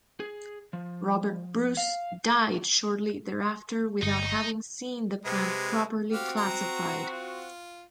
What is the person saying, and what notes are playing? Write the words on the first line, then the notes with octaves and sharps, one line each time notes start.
Robert Bruce died shortly thereafter, without having seen the plant properly classified.
G#4
F3
F5
G1 D#4 C#7
C3 G#3 B4
C4 F#4 G4 F5
A#5
F4